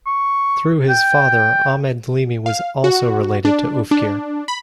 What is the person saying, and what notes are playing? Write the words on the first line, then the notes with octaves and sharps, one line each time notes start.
Through his father Ahmed Dlimi was also related to Oufkir.
C#6
G5
F5
F#4
D4
D4
B5